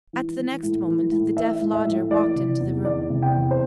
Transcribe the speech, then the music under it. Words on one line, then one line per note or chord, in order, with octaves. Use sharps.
At the next moment, the deaf Lodger walked into the room.
E3
E3
A2
E3
A2
E3 E5
A2
E5
A2
E3 D5
C3
E2
E2 D5
C3
G5
E2
C5